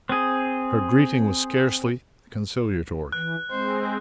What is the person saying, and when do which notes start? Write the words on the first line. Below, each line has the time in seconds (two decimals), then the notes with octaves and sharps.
Her greeting was scarcely conciliatory.
0.09 C4 G#4
3.12 E3 F#6
3.51 G#3 C4 C5